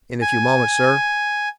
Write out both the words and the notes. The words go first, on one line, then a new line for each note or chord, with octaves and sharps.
"In a few moments, sir."
G#5